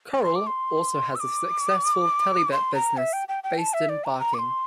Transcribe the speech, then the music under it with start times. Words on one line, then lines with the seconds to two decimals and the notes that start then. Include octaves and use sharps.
Coral also has a successful Telebet business, based in Barking.
0.24 C6
0.35 D6
0.47 C6
1.15 E6
1.20 D6
2.52 C6
2.75 A#5
2.97 E5
3.13 G5
3.28 G5
3.44 G5
3.58 A5
3.74 E5
3.89 D5
4.04 A#5
4.20 A#5
4.34 D6
4.39 C6